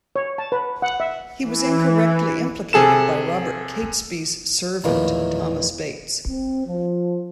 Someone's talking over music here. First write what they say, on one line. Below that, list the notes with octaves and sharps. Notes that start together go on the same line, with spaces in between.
He was incorrectly implicated by Robert Catesby's servant Thomas Bates.
C#5
A5
B4
F#5
E5
E3
C3 G#4 A4 E7
A#1 E2 A2 D#3 E3 A#3
C4
F3